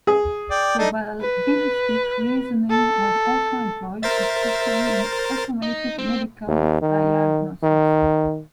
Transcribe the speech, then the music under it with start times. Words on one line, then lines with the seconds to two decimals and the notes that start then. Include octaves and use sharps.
Probabilistic reasoning was also employed, especially in automated medical diagnosis.
0.07 G#4
0.51 D5 G5
0.79 A3 D4 D#4
1.21 B4
2.70 A4
4.03 A#4 C5 E5 A6
5.62 D#4
5.98 C4
6.47 D#2
6.82 D#3
7.63 D#3